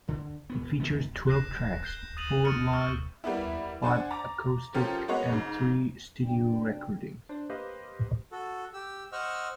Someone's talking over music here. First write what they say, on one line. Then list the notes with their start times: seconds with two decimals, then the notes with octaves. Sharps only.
It features twelve tracks: four live, five acoustic, and three studio recordings.
0.08 D3
0.50 E1 B3
0.80 F#2 D#3 G#3 B3
1.28 F#6 A#6 C7 E7
1.83 F#6 G6 C7 G7
2.17 D#6 A6 D#7 F7 F#7
2.45 F6 A6 C#7 D#7
2.73 C#6 E6 F6 A6
3.24 G3 A#3 B3 E4
3.82 D4 C5 F#5 G#5
4.11 A#5 D6 A6
4.74 F3 C#4 F4 G4 A4 A#4
5.08 G#3 A#3 B3 F#4 C#5 D#5
5.30 G#2 C#3
6.23 B1 C3 D4 G5
7.29 D4 C5
7.49 A#3 G4 B4 C5 D#5 F5
8.32 F#4 A4
8.74 G4 E6
9.12 C5 D#5 F#5 C#6 E6 F6